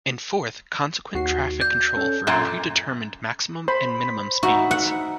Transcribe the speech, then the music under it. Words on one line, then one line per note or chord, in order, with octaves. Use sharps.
And fourth, consequent traffic control for predetermined maximum and minimum speeds.
D#2 F#4 C7
D5 G6
C#4 A4
F#2 A#2 F#5 C6
C5 B5
D#4 F#4 E5
F#5